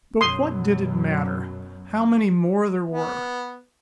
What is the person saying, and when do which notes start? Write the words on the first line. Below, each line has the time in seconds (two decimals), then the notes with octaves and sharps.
But what did it matter how many more there were!
0.21 F#2 B2 F#3 C6 D#6
2.90 B3